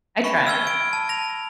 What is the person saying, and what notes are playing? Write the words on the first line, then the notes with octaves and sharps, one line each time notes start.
I try.
B5 C#6
E6 F6 G#6 G7
D7
A5
A#6 F7